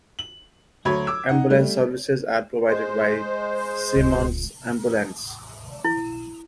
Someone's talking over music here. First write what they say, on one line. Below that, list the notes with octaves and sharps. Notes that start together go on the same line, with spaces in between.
Ambulance services are provided by Symons Ambulance.
F#7
D2 F#3 C#5 B5 G#6
D6 E6
D#4 F#5
G3 A3
G#3 C5
D1 C#2
E4